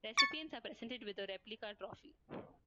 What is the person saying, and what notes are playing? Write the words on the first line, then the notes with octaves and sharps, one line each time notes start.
Recipients are presented with a replica trophy.
C#6 A6 C#7